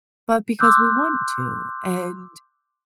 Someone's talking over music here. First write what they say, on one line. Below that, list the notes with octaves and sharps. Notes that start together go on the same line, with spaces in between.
but because we want to, and
C6 D6 E6 F#6 G6